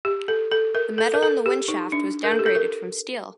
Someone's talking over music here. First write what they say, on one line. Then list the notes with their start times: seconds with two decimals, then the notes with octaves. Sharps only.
The metal in the wind shaft was downgraded from steel.
0.05 G4
0.28 A4
0.51 A4
0.75 A#4
0.98 A4
1.14 A#4
1.23 A4
1.46 G4
1.68 D#4
1.92 D4
2.24 A#4
2.31 A4
2.39 G4
2.46 A4
2.55 A#4